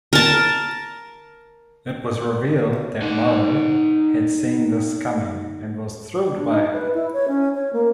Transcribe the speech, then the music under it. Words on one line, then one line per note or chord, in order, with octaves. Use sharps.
It was revealed that Morrow had seen this coming and was thrilled by it.
A#4 A5
D#4 F#5
D4
D#4
B4
E4
C#5
C#4
C#5
A#3